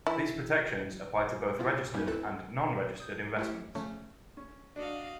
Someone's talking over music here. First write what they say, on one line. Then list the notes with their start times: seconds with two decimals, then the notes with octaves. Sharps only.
These protections apply to both registered and non-registered investments.
0.07 E3 E4
1.59 C3 B3 E4 F4
1.93 G2 G3 A#3 C#4 D#4
2.07 D2 C4 E4 A4 F#6
3.00 D#6 G6
3.37 A3 E4 G4
3.75 C#3 F3 A3 C#4
4.37 C#4
4.76 D4 F#4 D#5 F5